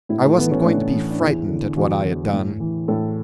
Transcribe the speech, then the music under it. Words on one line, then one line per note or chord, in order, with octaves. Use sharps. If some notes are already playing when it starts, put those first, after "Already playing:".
I wasn't going to be frightened at what I had done.
A2 E4
A3
E3 B3
C#4
A2 D4
E3
D4
E2 E4
D3
E2 F#4
D3
A2
E3
A2 A4